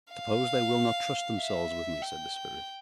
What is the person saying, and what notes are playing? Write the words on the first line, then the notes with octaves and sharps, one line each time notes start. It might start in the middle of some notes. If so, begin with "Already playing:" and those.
"Suppose they will not trust themselves with me?" said the spirit.
F5
E5
G5